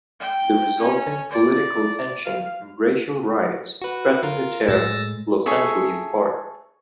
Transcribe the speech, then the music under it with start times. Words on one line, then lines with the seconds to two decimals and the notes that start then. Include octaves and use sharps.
The resulting political tension and racial riots threaten to tear Los Angeles apart.
0.20 G5
0.80 C#4
1.31 D5
2.25 F5
3.82 F#4 B4
4.23 F4 A#4
4.68 A2 G#3 E6 A6 A#6
5.46 G#4 A4 C#5 E5